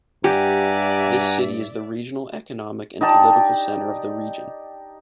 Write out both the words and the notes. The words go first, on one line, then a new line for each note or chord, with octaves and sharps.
This city is the regional economic and political center of the region.
G2 G4 D5 E5 F#5 G#5 A#5
D#4 G4 D5 A5